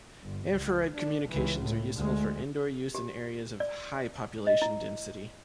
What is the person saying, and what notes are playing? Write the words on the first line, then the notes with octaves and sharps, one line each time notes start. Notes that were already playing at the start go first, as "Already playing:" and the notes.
Infrared communications are useful for indoor use in areas of high population density.
G1
C#2
D4
C#2 E3
A2
D2 G#3
G4
D5
D#5
E4